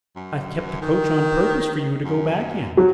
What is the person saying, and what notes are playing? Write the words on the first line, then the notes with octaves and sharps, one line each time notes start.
I've kept the coach on purpose for you to go back in.'
F#2
D#3
F#2
F3 F#3